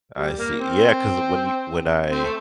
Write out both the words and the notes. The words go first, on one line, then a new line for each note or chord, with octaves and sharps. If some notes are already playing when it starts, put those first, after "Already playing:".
I see. Yeah, 'cause when you when I
G3
A#3
C4
C4
A3